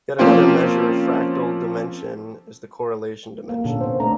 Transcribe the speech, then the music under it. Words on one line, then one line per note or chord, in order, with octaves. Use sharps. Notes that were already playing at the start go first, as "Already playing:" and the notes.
Yet another measure of fractal dimension is the correlation dimension.
F3 A#3 C4 C#4 F4
A#3
A#2 D3 C#4 A4
B3 C4 C5
A3 D4 A#5